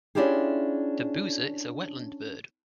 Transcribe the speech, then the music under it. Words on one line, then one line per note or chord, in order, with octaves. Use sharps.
The boozer is a wetland bird.
C#4 D4 E4 F4 G4 G#4